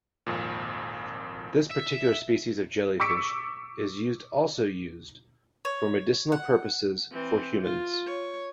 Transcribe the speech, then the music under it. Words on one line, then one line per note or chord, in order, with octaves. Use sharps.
This particular species of jellyfish is used also used for medicinal purposes for humans.
G#1 F2 A#2
E5
C#6 D6 E6 B6 C#7 D7
C#5
F#5
E3 C4
F4
C#5